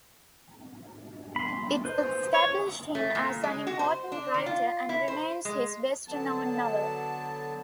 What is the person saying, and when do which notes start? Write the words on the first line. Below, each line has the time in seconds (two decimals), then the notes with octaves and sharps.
It established him as an important writer and remains his best known novel.
1.36 B5 C6
1.85 B4 C5
2.34 C#5
2.95 A3
3.15 A#2
3.43 G#3
3.67 F#4
3.79 C5
4.12 D4
4.34 D#3
4.46 F4
4.89 E4
5.08 C5
5.45 G#3
6.08 D3 F#3 B3 A5